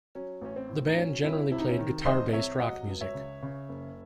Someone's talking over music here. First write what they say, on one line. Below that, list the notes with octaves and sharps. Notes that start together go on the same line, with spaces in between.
The band generally played guitar-based rock music.
F#3 C#4
A1 C#4
C4
A2
D#4
F#3 C#4
C2 C#4 E4
C3 E4
D#4
C#4 E4
D#3
C2 C5 D#5
C3 C#5 E5
F#3 D#5 F#5
C#2
C#5 E5
C#3
C#3
F#1